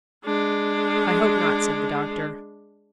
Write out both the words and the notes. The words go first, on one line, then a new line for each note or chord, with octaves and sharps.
"I hope not," said the doctor.
G#3 D4